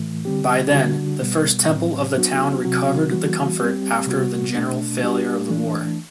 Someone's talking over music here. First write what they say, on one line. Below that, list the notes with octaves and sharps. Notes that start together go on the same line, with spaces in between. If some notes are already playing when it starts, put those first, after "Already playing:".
By then, the first temple of the town recovered the comfort after the general failure of the war.
Already playing: A2 E3 A3
D3 G3 C4 G4
D3 G3 D4 F#4
B2 G3 B3
A2 F#3 C4
F#3 B3 D4 F#4
C3 F#3 C4 F#4
E3 G3 B3 F#4
G3 C4 G4
C3 G3 B3 F#4
B2 A3 D4
G3 D4 G4
E3 A3 D4